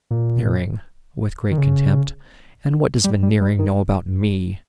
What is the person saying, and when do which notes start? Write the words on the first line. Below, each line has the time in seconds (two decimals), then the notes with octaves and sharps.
'Veneering!' with great contempt.' And what does Veneering know about me!'
0.11 A#2
1.51 D#3
1.58 C#3
3.04 G3
3.23 G3
3.41 G3
3.59 D#3